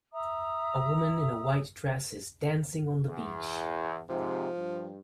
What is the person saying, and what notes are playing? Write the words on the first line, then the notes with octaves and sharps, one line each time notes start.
A woman in a white dress is dancing on the beach.
E5 A#5 D#6 E6
E2
G#2 C3 F3
G2